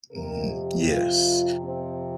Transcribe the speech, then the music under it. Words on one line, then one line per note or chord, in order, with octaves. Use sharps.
Mhm, yes,
F2 C3 A#4
G4
F4
C4